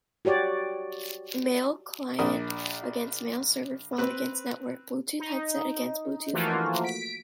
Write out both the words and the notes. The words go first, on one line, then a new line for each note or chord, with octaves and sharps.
Mail-Client against Mail-server, phone against network, Bluetooth headset against Bluetooth phone.
F#4 G4 C#5 D5
A#1 A#3 D4 D#6
C4 B4
D#4
E3 F3 A3 A#3 F4 F#4
B6 D7